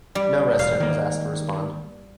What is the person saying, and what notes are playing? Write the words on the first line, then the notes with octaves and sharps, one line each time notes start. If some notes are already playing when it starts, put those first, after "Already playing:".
No resident was asked to respond.
G3
E1 F5
D#3 A#3